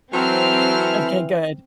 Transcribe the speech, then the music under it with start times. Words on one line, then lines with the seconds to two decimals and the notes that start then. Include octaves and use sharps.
Okay, good.
0.13 E3 F#3 C4 A4 C5 B5 F6